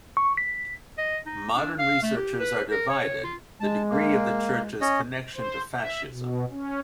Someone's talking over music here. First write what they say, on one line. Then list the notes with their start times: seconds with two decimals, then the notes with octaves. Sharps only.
Modern researchers are divided the degree of the Church's connection to fascism.
0.17 C#6
0.37 B6
0.98 D#5
1.26 D#4
1.55 D4
1.79 F5
2.03 A3
2.17 G4
2.40 B4
2.71 A#4
2.89 C#5
3.24 F4
3.60 G#3 A5
3.91 A#3
4.81 C#4 C#5 D#5
5.35 C5
5.77 E5
6.11 B2
6.50 C#4